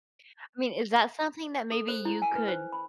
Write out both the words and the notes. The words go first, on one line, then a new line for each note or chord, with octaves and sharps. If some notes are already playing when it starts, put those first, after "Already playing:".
I mean, is that something that maybe you could
A4
C5
E4
G#5
B4
C5
B5